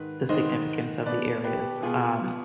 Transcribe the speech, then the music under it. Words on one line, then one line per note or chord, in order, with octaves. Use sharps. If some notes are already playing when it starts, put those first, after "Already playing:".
the significance of the areas. Um,
Already playing: G#2 D#3 B4
G#2 D#3 C5 D#5
B2 B4 D5
G4 B4
B2 F4 G#4